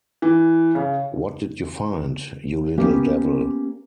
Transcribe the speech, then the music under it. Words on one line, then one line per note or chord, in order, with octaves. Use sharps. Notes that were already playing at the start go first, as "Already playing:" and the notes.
What did you find, you little devil?
E3
C#3
A#3 B3 C#4 G4 B4